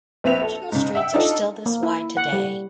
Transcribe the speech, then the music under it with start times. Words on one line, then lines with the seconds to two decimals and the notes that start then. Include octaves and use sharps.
The original streets are still this wide today.
0.24 A#1 C4 B4 E5 F7
0.42 A4
0.72 G#2 C#3
0.95 E5 F#5 G5 E6
1.14 D4 D#4 F4 A4
1.66 A#3
1.83 E4
2.17 F#5
2.33 G3